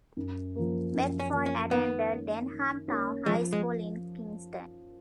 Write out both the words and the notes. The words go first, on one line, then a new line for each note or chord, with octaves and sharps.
Beckford attended Denham Town High School in Kingston.
F#2
F3 A#3
F#2
C#4
F3 A#3
C#4
D#3 B3
A#3 C#4
D#3
A#3 C#4
F3 G#3
G#3